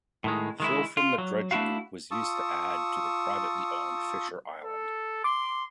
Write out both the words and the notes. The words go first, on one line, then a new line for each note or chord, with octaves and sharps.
Fill from the dredging was used to add to the privately owned Fisher Island.
A2 D#3 G#3
D#3 G#3 E4
F4
F#3
A3 D4 E4 F#4 F5
F4 A5 C#6 D#6 E6
A4
C6 D6